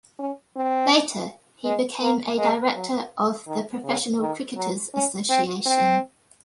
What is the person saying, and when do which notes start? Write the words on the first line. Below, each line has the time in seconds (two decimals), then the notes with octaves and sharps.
Later, he became a director of the Professional Cricketers' Association.
0.19 C#4
0.56 C4
1.64 G#3
2.01 A#3
2.38 G#3
2.74 F#3
3.47 D#3
3.84 C#3
4.20 D#3
4.56 F#3
4.93 C#4
5.29 C4
5.66 C4